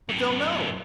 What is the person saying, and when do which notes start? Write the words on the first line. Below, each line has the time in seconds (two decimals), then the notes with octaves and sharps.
"But they'll know...."
0.09 F#2 A2